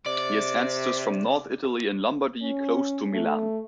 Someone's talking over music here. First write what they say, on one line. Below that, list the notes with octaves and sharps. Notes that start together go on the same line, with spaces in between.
He has ancestors from North Italy in Lombardy, close to Milan.
C3 D5
C#4
A3